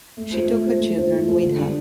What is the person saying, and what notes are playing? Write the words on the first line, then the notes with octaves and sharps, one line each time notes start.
She took her children with her.
A3
F4 A4 C5
A3
F4 A4 C5
A3
F4 A4 C5
A3
F4 A4 C5
D3
G3 D4